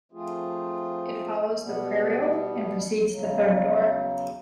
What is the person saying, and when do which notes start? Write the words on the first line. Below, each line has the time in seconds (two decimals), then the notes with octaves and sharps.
It follows the Prairial and precedes the Thermidor.
0.12 F3 A3 C4 F4 G#4
1.60 B2 G3 B3
3.08 E2 C#3 F#3